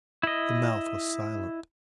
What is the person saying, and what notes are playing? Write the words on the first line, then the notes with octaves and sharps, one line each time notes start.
The mouth was silent.
E4 D#5